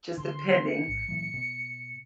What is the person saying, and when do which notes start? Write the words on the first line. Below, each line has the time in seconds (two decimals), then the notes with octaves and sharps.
just depending,
0.18 D3 C6
0.65 C#7
0.88 G#1
1.09 A#2 E3 F#3
1.34 B2